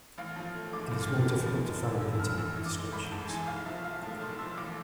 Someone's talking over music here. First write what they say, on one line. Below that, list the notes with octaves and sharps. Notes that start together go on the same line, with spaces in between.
It is more difficult to find contemporary descriptions.
A1 F5
F3
A3
G#2 D6
A1
F6
F3
E2
F3
G#3
D3 E6
E2 E6
E6
F3 F6
A1 E6
E3
D6
G#3
G#2 B5
A1 A5
E3 G#5
B1 F5
F3 E5
G#3 F5
A2 A5
B1 C6
F3 E6
A1 D6